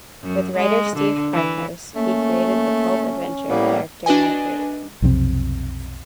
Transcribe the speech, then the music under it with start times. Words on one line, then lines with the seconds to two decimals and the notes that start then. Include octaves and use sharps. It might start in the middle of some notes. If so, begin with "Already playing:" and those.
With writer Steve Parkhouse, he created the pulp adventure character Night Raven.
0.23 F#2
0.56 G#3
0.97 D3
1.33 E3
1.96 A3 A#3 C#4
3.49 A2 G3 A#3 B3 E4
4.06 D4 F#4 B4 D#5 G#5
5.02 B1 F2 C3 C4